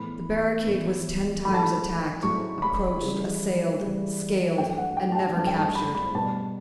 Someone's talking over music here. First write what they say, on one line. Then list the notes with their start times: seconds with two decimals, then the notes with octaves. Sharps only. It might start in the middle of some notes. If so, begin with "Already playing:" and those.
The barricade was ten times attacked, approached, assailed, scaled, and never captured.
Already playing: A2 E3 B3 B5
0.66 A2 E3 B3
1.44 A2 F#3 A3 B5
1.54 A5
1.63 B5
2.23 A2 F#3 A3 C#6
2.62 B5
3.01 C#3 E3 G3
3.79 C#3 E3 G3
4.58 G2 F#3 A3 G5
4.78 F#5
4.97 G5
5.12 A5
5.17 G5
5.36 G2 F#3 A3 A5
5.47 G5
5.56 A5
5.75 B5
5.95 B5
6.14 B2 G3 B3 A5